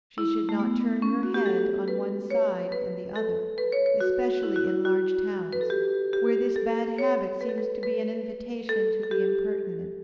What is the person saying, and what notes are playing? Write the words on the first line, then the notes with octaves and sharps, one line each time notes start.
She should not turn her head on one side and the other, especially in large towns, where this bad habit seems to be an invitation to the impertinent.
E4
A3
B3
C#4
F#4
G4
A4
B4
C#5
B4
A4
B4
C#5
C#5
F#4
E4
F#4
E4
F#4
B4
A4
G4
G4
A4
C#5
B4
A4
B4
B4
A4
A4
G4